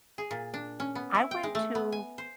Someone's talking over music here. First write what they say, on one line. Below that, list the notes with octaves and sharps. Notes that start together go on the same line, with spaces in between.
I went to
G#4
A#2
D4
C#4
B3
E4
G5
G#3
A3
B3
G#5
C5